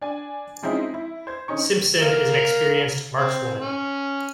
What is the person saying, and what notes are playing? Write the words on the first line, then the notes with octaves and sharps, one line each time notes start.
Simpson is an experienced markswoman.
D4 G#5
F3 G#3 C4 C#4 D#4 E4
E4
C5 G#6
D3 C#4 D#4 C#6
A#4 F5
C4
C#4